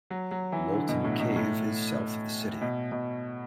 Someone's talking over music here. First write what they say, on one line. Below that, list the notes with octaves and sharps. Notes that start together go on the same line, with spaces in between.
Loltun Cave is south of the city.
F#3
F#3
E3
D3
B2
A2
B2
A2
B2
B2